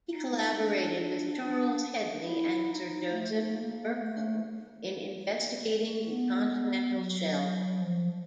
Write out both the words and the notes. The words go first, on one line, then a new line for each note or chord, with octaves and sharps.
He collaborated with Charles Hedley and Sir Joseph Verco in investigating the continental shelf.
D#4
D4
D4
D4
E4
D#4
A3
A#3
A3
B3
B3
F#3
F3